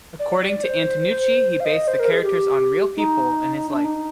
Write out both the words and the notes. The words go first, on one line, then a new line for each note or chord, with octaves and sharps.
According to Antonucci, he based the characters on real people in his life.
D5
D5
C5
C5
F5
D#5
C5
A#4
G#4
G4
D#4
D4
D#4